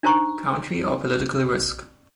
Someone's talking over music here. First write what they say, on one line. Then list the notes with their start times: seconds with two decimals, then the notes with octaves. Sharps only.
Country or political risk.
0.03 D4 D#4 A#4 C5 A#5 C#6